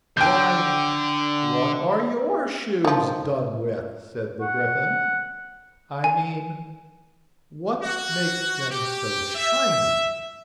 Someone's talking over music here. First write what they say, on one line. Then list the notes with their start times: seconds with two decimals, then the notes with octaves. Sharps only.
'Why, what are YOUR shoes done with?' said the Gryphon. 'I mean, what makes them so shiny?'
0.17 D3 G5 G6
2.85 D#3 F3
4.41 F#5
6.04 G#5
7.82 F#4
8.70 G4
9.35 E5